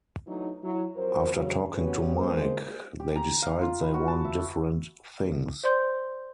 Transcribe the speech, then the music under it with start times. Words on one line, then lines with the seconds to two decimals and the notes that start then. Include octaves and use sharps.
After talking to Mike, they decide they want different things.
0.27 E3 F#3 A3 D4 D#4
0.63 F#3 E4
0.96 F2 F#3 A#4 C5
1.34 C#3 F#3
1.75 B3 C#4 F#4 G4 B4
2.16 G#3 A#3 C5
3.00 G4
3.16 A#5
3.42 F5
3.62 F4
3.82 B4
3.94 F#4
4.08 A5
4.24 E5
5.64 C5 D5 C6 G6